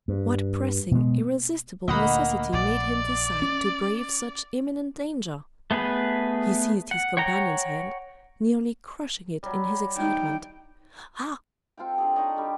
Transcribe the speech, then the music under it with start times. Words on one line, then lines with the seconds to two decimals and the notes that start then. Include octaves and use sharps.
What pressing, irresistible necessity made him decide to brave such imminent danger?" He seized his companion's hand, nearly crushing it in his excitement: "Ah!
0.08 G2
0.91 B2 G#3
1.88 D2 A#2 D3 A#3 D#5 F#5 B5
2.53 A#1 D5
3.42 C#4
5.71 A3 B3 G#4 B4
6.91 F#5
7.17 C#5 F#5 G5 A#5
9.43 F#3 G3
9.97 D#4 G5
11.77 C4 F4 A4 G5
11.98 D4 G4 G#4
12.16 D#4 C#5 D#5
12.37 D3 G3